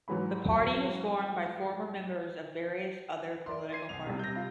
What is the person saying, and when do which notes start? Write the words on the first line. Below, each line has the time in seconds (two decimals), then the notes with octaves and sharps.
The party was formed by former members of various other political parties.
0.08 G#2 E3 F#3 G#3 B5
3.46 A#4 D5 E5 C6
3.72 G#6 C7 D#7
3.89 C2 F7
4.06 C3 G3
4.19 G6 A#6
4.35 F4 F5